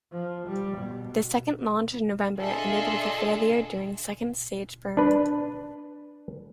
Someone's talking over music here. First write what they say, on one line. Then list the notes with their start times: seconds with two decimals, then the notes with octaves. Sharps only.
The second launch in November ended with a failure during second stage burn.
0.12 F3
0.47 G3
0.78 B2
2.40 D4 F4 G#4 A4 D#5 E5
4.97 D4 B4